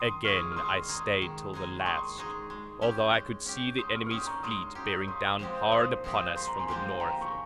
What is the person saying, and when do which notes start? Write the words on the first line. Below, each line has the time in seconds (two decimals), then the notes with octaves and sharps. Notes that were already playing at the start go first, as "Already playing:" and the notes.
Again I stayed till the last, although I could see the enemy's fleet bearing down hard upon us from the north.
Already playing: D#3 C6 D#6
0.24 G#3 D#4 G#4 C#6 F6
0.52 F6
0.56 D#3 C6 D#6
0.88 G#3 D#4 G#4
1.22 D#3
1.53 G#3 D#4 G#4
1.80 C#6
1.86 D#3 C6 D#6
2.18 G#3 D#4 G#4
2.50 G#3
2.82 C#4 G4
3.14 G#3
3.46 C#4 G4
3.79 G#3 C6 D#6
3.95 C#6 F6
4.06 F6
4.11 C#4 G4 C6 D#6
4.27 A#5 C#6
4.43 G#3 C6 D#6
4.75 C#4 G4
5.08 A#2 C6 D#6
5.39 F3 G#3 C4 G4
5.71 A#2 C6 D#6
6.04 F3 G#3 C4 G4
6.36 A#2 C6
6.48 A#5
6.59 G#5 C6
6.68 F3 G#3 C4 G4
7.00 A#2 G5 A#5
7.21 C#6